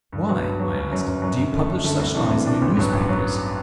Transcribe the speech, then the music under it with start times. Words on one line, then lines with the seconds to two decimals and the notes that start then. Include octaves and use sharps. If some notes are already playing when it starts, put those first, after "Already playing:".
"Why," I asked, "do you publish such lies in your newspapers?"
0.13 G2
0.29 F#3 B3 F#4
0.44 G2
0.59 F#3 B3 F#4
0.76 G1
0.91 F#2 F#3
1.07 G1
1.22 F#2 F#3
1.37 F#2
1.52 D3 A3
1.68 F#2
1.84 D3 A3
1.99 C2
2.15 C3 E3 A3 D4
2.31 C2
2.46 C3 E3 A3 D4
2.62 A1
2.77 G2 F#3 B3
2.93 A1
3.08 F#3 B3